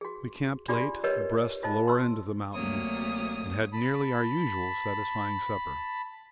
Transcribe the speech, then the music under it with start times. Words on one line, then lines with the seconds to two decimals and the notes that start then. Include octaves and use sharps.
We camped late, abreast the lower end of the mountain, and had nearly our usual satisfying supper.
0.01 F#4 G#4
0.68 D4 F4 G4 G#4 D5 C6
1.04 G4 A#4 B4 C#5 D#5
1.63 F4 C5 D#5 A5
1.87 C6 E6
2.53 D2 C3 F#3 A#3 C#5 D#6
3.73 A5 B5